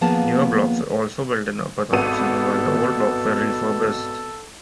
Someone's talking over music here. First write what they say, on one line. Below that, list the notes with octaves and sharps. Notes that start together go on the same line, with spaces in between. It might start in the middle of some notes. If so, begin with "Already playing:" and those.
Newer blocks were also built in Upper Thomson, while the old blocks were refurbished.
D#2 F3 A#3 B3 G#4 A5
G#1 B2 B3 A4 D#7